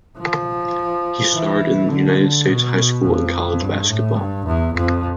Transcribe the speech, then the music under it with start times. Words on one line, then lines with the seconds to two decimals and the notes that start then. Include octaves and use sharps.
He starred in United States high school and college basketball.
0.18 F3
1.32 E3
1.89 D3
2.47 B2
3.03 F2
3.60 G2
3.89 A2
4.17 G2
4.46 E2
4.74 F2